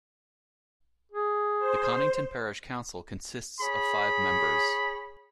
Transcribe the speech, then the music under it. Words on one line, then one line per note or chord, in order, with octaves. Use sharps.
The Conington parish council consists of five members.
G#4
C5
G#4 C#5 B5